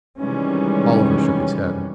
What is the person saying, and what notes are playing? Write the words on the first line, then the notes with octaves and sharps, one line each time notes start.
Oliver shook his head.
C3 D#3 E3 G3 G#3 C#4